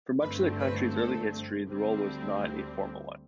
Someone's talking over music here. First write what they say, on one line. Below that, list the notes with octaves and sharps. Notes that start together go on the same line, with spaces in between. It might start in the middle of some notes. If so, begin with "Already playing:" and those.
For much of the country's early history, the role was not a formal one.
G1 G2 D3 A3 C4 B4
B4
A4
D2 D3 G3 C4